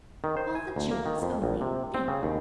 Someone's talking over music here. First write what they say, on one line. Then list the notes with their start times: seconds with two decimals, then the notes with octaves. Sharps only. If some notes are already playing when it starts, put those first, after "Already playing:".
All the Jewels, only think!
0.24 D#3
0.37 C5
0.55 G#5
0.76 D2
0.91 A#3
1.06 D#3
1.22 F2
1.42 A#1
1.61 C3
1.94 C4
2.08 C#3
2.23 D#2